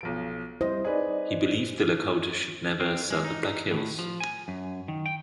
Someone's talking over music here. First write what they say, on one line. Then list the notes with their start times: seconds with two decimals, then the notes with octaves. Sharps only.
He believed the Lakota should never sell the Black Hills.
0.01 B1 F3 D7
0.61 G3 E4 C5 D#5
0.85 D#4 G#4 B4 D5 D#5
2.80 C4
3.11 G#3
3.25 D#4
3.71 A2
3.99 F3
4.20 G#5
4.48 F#2
4.88 D#3
5.06 G5